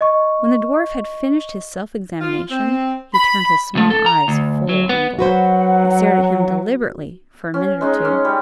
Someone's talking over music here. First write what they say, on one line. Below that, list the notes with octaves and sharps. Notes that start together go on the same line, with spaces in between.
When the dwarf had finished his self-examination, he turned his small eyes full on Gluck, and stared at him deliberately for a minute or two.
D#5 C#6
F4
C4
B5
C#2 A3
A4
A#5
D2
F#3
B3
F#3 F#4 B4 C5 F#5
C#4
G#3 C#4 D#4
C#4
G3